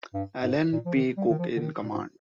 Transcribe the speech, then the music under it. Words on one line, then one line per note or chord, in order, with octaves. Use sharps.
Allen P. Cook in command.
G2
G#2
A#2
F3
D#3
G3
D#3
F3
D3
D#3
A#2
G#2